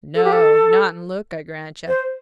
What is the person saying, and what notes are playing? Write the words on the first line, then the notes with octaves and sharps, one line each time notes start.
'No! not in look, I grant yo'.
A4
G4
A4
C5